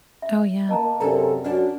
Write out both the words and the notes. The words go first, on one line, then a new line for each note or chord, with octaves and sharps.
Oh, yeah.
E5
A#3 D#5 A5 A#5
F#2 C3 D4 A4 A#4 D5 A#5
F#2 D4 F#4 B4 D5